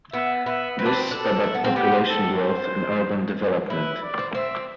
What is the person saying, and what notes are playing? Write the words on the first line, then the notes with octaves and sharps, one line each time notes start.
This sped up population growth and urban development.
B3 E5
B3 E5
C4 B4
D4
C4
D4 A4
E4
B3
C4
B3 G4
C4
A4
C5
E4 B4
D5
C4
C4 E5